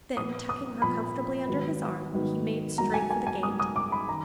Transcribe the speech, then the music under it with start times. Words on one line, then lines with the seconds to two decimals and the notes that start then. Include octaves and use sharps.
Then, tucking her comfortably under his arm, he made straight for the gate.
0.16 A#2 F3 B3 D#6
0.49 D#6
0.82 A#2 F3 B3 B5
1.47 G#2 D#3 F#3 B3
2.13 G#2 D#3 F#3 B3
2.78 G#2 F#3 A#3 A#5
2.94 G#5
3.10 G#5
3.27 G#5
3.43 G#2 F#3 A#3 D#6
3.60 D#6
3.76 D6
3.92 B5
4.09 D#3 A#5